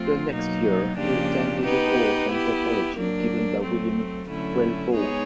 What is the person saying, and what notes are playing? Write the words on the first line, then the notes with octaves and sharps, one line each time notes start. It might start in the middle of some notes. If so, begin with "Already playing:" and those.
The next year he attended a course on topology given by William Threlfall.
Already playing: F3 A3 C4 F4
B2 F#3 A#3 D#4
C#3 F3 A#3 D4 G4
B3 D#4 G4 B4
B3 E4 G4
F#3 A#3 D4
F#3 A3 C4
D3 F#3 A3 C#4 E4
G#3 B3 D#4 G#4 C#5